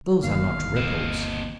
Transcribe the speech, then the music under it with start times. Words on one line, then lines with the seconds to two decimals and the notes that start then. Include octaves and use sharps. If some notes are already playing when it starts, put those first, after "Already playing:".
Those are not ripples.
0.24 G1 D#2 B2 D#3 A#3 F5
0.76 C4 D#4